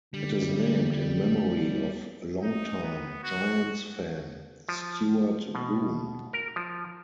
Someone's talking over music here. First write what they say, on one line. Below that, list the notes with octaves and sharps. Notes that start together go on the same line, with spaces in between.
It is named in memory of long time Giants fan Stewart Boone.
D3 G3
D#4
B3
F#4
F3
B2
A#4
F3